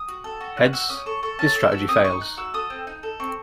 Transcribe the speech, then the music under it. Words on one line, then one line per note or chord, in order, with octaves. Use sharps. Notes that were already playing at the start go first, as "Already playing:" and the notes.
Hence this strategy fails.
Already playing: D#6
F#4
A4
F#4
C#4 F#6
F#4 E6
C#4 D#6
A4 C#6
A4 C#6
C#4 A5
A4 E6
F#4 E6
C4 D#6
D#4 C#6
D#4 F#6
F#4 E6
A4 D#6
C4
D#4
A4
C4 C#6